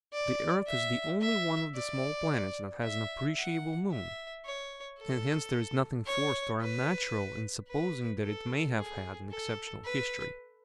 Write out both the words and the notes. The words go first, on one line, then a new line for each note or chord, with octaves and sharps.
The earth is the only one of the small planets that has an appreciable moon, and hence there is nothing forced or unnatural in supposing that it may have had an exceptional history.
D5
E5
E5
D5
E5
F#5
E5
C#5
A4
C#5
B4
B4
A4
G#4
A4
B4